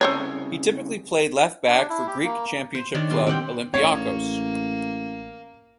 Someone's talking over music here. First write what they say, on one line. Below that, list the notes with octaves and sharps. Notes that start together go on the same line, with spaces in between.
He typically played left-back for Greek Championship club Olympiacos.
C2 A#2 C#3 A4 C5 C#5
D4
E4
G4
A#3
C5
D#3 D4 C#5 D#5
B2 G3 C6
C4 G4 F#5 G5
A1 A#3 C#5